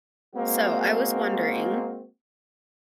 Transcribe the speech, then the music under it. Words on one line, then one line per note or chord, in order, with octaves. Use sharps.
So, I was wondering
G#3 A#3 C4 F#4